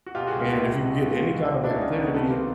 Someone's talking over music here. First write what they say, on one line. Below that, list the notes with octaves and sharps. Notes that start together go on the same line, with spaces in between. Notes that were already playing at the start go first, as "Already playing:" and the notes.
and if you get any kind of activity
F#4
B2 F4 G4
C#2 F#4 G#4
F4 G4
B2 E4 F#4
C#2
B2
C#2
B2
C#2
B2
C#2 D4 E4
B2 C#4 D#4
C#2 B3 C#4
D#3 A3 B3
A#3 C4